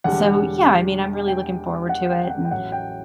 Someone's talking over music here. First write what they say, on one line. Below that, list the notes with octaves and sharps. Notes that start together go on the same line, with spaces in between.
so, yeah, I mean, I'm really looking forward to it and,
E1 E2 D3 G3 D4 F#5
G5
F#5
G5
G5
F#5
G5
A1 A2 F#3 F#5
G5